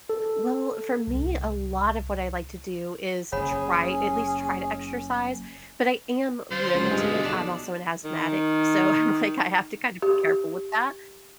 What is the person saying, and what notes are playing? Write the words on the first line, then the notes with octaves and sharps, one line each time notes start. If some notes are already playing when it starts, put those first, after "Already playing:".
Well, for me, a lot of what I like to do is try at least try to exercise, but I am limited. I'm also an asthmatic, so I'm like I have to kind of be careful with that.
A4
C2
F#1 C#4 G#4 C#5 F#5 B5
D3 F4 C5
C#2
G2 G#3
B2
B1 D4
D#3
G4